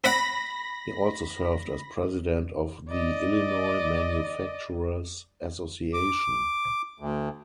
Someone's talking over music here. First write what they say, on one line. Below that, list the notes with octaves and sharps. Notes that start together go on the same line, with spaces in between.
He also served as President of the Illinois Manufacturers Association.
C4 D5 F#5 B5 A#6
D5 D#5
D6
D2